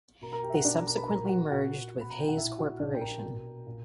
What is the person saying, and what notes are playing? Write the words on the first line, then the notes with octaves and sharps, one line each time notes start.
They subsequently merged with Hayes Corporation.
B2 A#4 A#5
A#4 A#5
G4 G5
E5
F#4 F#5
B2 D4 D5
A#4 A#5
A#4 A#5
B4 B5
A#2 A#4 A#5
F#4 F#5
A#2 F#4 F#5
B2
B5
A#5
G5
F#5
A#2 E4 E5
F#4 F#5
A#2 D4 D5
G5
A#4 A#5
B2
A#2